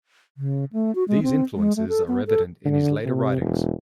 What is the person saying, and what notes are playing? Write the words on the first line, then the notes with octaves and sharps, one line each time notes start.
These influences are evident in his later writings.
C#3
A3
F#4
G#3
C4
G#3
A3
A4
B3
A4
D3
C3
E1